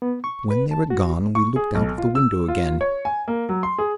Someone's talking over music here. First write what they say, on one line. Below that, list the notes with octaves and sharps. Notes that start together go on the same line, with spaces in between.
When they were gone we looked out of the window again.
B3
C#6
B4
A5
F#4
C#6
G#4
B1
F4
E6
F4
C#5
G#5
A#3
F#3
C6
G#4